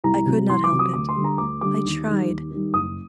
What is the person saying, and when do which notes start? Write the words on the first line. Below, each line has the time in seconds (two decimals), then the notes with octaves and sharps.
I could not help it; I tried.
0.04 C2 A#5
0.26 C3 F#3
0.49 C2 C6
0.64 D6
0.71 C3 F#3
0.79 D#6
0.94 D2 D6
1.09 C6
1.16 D3 G3
1.24 A#5
1.38 D2 D6
1.61 D3 G3 D6
1.84 D#2
2.07 D#3 G3
2.28 D#2
2.50 D#3 G3
2.74 F#1 D#6